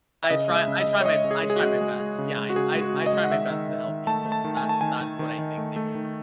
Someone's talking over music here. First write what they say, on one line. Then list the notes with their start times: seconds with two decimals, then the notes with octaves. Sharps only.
I try I try my I try my best. Yeah. I I I try my best to help people. That's that's what I think they would learn.
0.24 E5
0.30 C#3 D#5
0.49 G#3
0.56 E5
0.68 C#3
0.81 D#5
0.87 C#3
1.01 C#5
1.05 G#3 D#5
1.24 C#3
1.31 G#4
1.43 G#3
1.50 G#4
1.56 F#4
1.62 G#3
1.81 G#3
2.00 G#3
2.18 C#3
2.38 G#3
2.50 F#4
2.56 C#3 G#4
2.75 G#3
2.81 F#4
2.94 C#3
3.06 D#5
3.13 G#3
3.24 F#5
3.32 D#3 E5
3.50 D#3
3.69 D#3
3.88 D#3
4.07 A3 A5
4.26 A3
4.32 A5
4.45 D#3
4.57 G#5
4.63 A3
4.69 A5
4.81 D#3 G#5
5.01 D#3
5.19 D#3
5.39 D#3
5.58 A3
5.76 A3
5.95 D#3